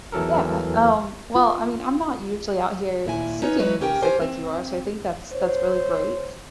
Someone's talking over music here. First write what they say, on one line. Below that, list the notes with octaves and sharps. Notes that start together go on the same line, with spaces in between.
Yeah, um, well, I mean, I'm not usually out here seeking new music like you are, so I think that's that's really great.
E2 E3 F#3 A4 A#4
F4
D#2 A#2 E4 G#5
C#4 D#4 B4 C#5
F#3 G#3 E4 F#4 B4 C#5
C3 C#4 G4 A#4 D#5 G5
G4 A#4 C5 C#5 G#5
C4
C5 C#5